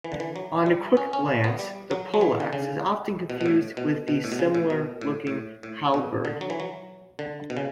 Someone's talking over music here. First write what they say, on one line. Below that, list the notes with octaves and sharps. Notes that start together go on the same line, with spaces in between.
On quick glance, the pollaxe is often confused with the similar-looking halberd.
E3
D3
E3
F#3
G3
C#4
C#4
B3
G3
F#3
F#3
E3
D3
C#3
B2
B2
A2
B2
B2
A2
B2
C#3
A2
B2
A2
A2
A2
B2
D3
F#3
E3
F#3
D3
B2
C#3